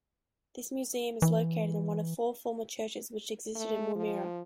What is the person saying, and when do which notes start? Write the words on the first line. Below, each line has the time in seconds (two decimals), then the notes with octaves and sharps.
This museum is located in one of four former churches which existed in Woomera.
1.22 E3
3.56 A3
3.95 F3